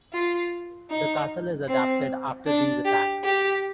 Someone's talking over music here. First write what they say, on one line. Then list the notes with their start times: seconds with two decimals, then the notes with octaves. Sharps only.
The castle is adapted after these attacks.
0.13 F4
0.90 D#4
1.68 C4
2.46 D4
2.85 G4
3.24 G4